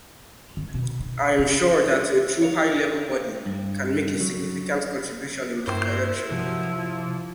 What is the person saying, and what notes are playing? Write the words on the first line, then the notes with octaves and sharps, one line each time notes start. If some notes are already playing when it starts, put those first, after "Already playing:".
I am sure that a true high-level body can make a significant contribution in this direction.
D#3
B2
D#4
E4
C#5 F5
G2
F#3
G2 A#3 E4 C5
C3 F3 F#3
F4